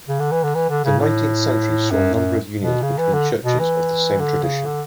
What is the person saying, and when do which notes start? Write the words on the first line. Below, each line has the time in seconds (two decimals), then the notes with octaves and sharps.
The nineteenth century saw a number of unions between churches of the same tradition.
0.08 C#3
0.19 D3
0.32 E3
0.43 D3
0.55 E3
0.69 D3
0.84 C#3
1.00 A2
1.91 F#2
2.14 F#2
2.60 B2
2.82 C#3
2.98 E3
3.13 D3
3.43 B2
3.59 E3
4.19 D3
4.43 C#3
4.65 D3